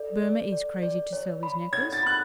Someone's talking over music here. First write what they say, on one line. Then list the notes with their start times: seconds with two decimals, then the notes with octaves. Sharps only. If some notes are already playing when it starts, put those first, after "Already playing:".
Boehmer is crazy to sell his necklace.
Already playing: A4 D5
0.22 D5
0.52 D5
0.83 D5
1.13 C#5
1.43 B5
1.73 C#5 G#6
1.93 A6
2.03 B5 F#6